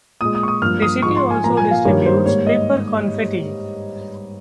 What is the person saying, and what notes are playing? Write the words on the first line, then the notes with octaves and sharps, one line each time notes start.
The city also distributes paper confetti.
A#2 G#3 D#6
D#6
C#6
D#6
G2 F3 A#3 F6
D#6
G#2 F3 G#3 C#6
C6
G#5
A#2 F3 A#3 A#5
G#5
F5
G2 D#3 G3 A#3 C#5
C5
G#2 G3 A#3 C#5
D#5